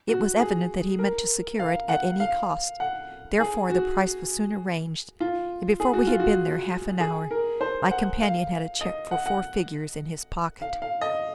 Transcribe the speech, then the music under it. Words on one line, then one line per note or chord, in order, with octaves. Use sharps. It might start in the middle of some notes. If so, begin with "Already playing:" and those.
It was evident that he meant to secure it at any cost, therefore the price was soon arranged; and before we had been there half an hour, my companion had a cheque for four figures in his pocket.
F#4
G#4
A#4
F5
F#5
F5
F#5
G#4
F#4
F4
G#4
F#4
F4
F#4
G#4
A#4
C5
F#5
F5
D#5
F#5
F#5
F5
F5
D#5